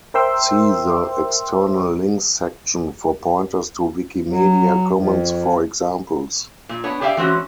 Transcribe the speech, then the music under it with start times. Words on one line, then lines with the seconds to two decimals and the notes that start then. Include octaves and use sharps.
See the "External links" section for pointers to Wikimedia Commons for examples.
0.14 A#4 C5 E5 G5 C6 E6
4.28 F#3
4.91 F2
6.69 A#2
6.84 B3 D4 C#5
7.01 G4 G#4 D5 E5 F5 G5
7.17 E3 G#3 C4 C#4 F#4 C#5